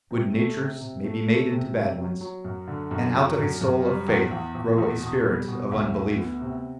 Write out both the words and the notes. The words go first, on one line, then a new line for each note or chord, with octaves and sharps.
Good natures may be made into bad ones and out of a soul of faith grow a spirit of unbelief.
C3
A3
C3
C3
A3
A3
C3
C3
F#3
F#3
F#2
D3
F#2
F#3
F#2
F#2
G3
E2
E2
E2
E2
B2
G3
B2
D2
D2
B3
C3